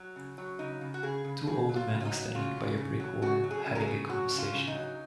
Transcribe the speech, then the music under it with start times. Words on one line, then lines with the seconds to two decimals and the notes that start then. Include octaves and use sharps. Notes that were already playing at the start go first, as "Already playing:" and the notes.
Two older men are standing by a brick wall having a conversation.
Already playing: F#3
0.16 C#3
0.38 F#3
0.59 C#3 D#4
0.81 C#3
0.94 F#4
1.03 C#3 G#4
1.25 C#3
1.47 C#3 G#4
1.69 F#3
1.76 F4
1.90 C#3
2.00 F4
2.05 D#4
2.12 F#3
2.35 C#3 F4
2.57 C#3
2.78 C#3
3.00 F#3
3.22 C#3 F#4
3.44 F#3
3.51 G#4
3.66 C#3
3.75 A#4
3.80 G#4
3.88 C#3
4.09 F#3 F#4
4.31 C#3
4.38 F4
4.53 C#3
4.67 D#4
4.75 F#3